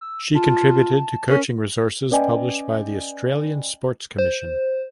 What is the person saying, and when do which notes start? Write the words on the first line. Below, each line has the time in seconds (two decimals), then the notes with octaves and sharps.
She contributed to coaching resources published by the Australian Sports Commission.
0.01 E6
0.35 F4 A5
1.29 C#4 A#4
2.11 C#4 B4 D5 D#5 G5 G#5
4.18 C5